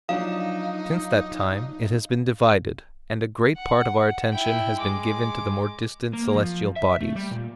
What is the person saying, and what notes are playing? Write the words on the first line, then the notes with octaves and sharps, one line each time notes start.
Since that time it has been divided, and a great part of our attention has been given to the more distant celestial bodies.
F3 F#3 D4 D#4 F5
F#5
E4 G5
G#3 D6
A#3
F3
E5
A3
G3
A#2